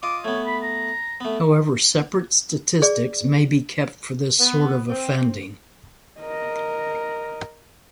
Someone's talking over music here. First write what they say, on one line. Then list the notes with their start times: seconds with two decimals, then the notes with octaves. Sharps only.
However separate statistics may be kept for this sort of offending.
0.03 F4 D#5 D6
0.24 A3 B3 C#5
0.46 B5
0.63 A#5
1.20 A3 B3
2.82 G#4 D5
4.40 B3
4.90 C4
6.20 A#4 D#5